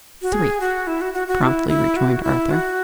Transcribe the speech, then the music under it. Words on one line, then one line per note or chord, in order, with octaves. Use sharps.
"Three," promptly rejoined Arthur.
F#4
G#4
F#4
E4
F#4
F#4
F#4
E4
E4
F#4
E4
F#4